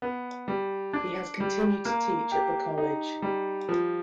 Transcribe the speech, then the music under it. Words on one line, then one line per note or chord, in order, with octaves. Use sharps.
He has continued to teach at the college.
B3
G3
D4
G3
A#3
G4
D#4
G3
F3